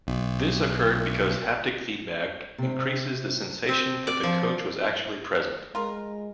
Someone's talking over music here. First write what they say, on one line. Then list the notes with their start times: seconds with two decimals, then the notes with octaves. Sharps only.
This occurred because haptic feedback increases the sensation that the coach was actually present.
0.07 B1
2.58 C3 C4
3.69 C4
4.07 D5
4.23 F3
5.75 G#3 F4 A#4